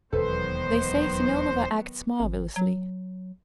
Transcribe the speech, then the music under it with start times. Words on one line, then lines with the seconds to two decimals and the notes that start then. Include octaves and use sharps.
They say Semenova acts marvelously.
0.13 E1 D#2 D#3 F#3 B3 A4 B4 C5
2.20 G#1
2.56 F#3